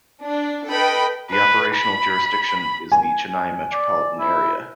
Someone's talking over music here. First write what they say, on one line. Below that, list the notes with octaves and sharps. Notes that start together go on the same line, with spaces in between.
The operational jurisdiction is the Chennai Metropolitan area.
D4
A4 B4 D#5 G5 B5
B4
B5
G#5
D5
E4